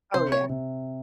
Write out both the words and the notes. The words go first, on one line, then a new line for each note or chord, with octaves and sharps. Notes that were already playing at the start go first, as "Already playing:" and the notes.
Oh, yeah.
C3 C5
C#5
C3